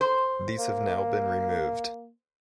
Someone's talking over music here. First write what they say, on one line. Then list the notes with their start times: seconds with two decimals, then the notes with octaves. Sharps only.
These have now been removed.
0.01 C5
0.59 A#3